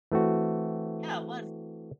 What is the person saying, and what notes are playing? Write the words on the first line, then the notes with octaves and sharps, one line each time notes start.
Yeah, it was.
E3 A3 C4 F#4